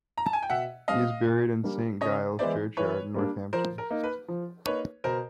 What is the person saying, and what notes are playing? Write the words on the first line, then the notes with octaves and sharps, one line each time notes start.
He is buried in Saint Giles's churchyard, Northampton.
A#5
A5
G#5
G5
B2 E5 F#5
G3 C4 D#5 F5
A#2
G3 A#3 D4
C#3 C#5 D#5
E3 G#3 B3 E4 C5 D5
E3 B4 C#5
G3 A#3 D4
F3 A#4 C5
A#4
A#3 D#4
B4
F3
A#3 D#4 B4 C#5
B2 A#4 C5